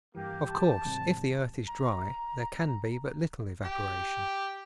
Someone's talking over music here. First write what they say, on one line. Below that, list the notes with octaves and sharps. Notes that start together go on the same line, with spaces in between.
Of course, if the earth is dry there can be but little evaporation.
G2 E3 A#3 G4
A5
G#1 C3 G3
A#5
G4